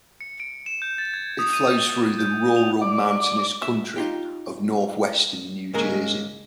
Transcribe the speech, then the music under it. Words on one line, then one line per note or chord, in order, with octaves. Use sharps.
It flows through the rural mountainous country of northwestern New Jersey.
C#7
D7
E7
G6
A6
G#6
D#6
D#7
G6
F7
D5
E5
D#4 F4 G4
G#2 C#3 G#3 A#3 A#4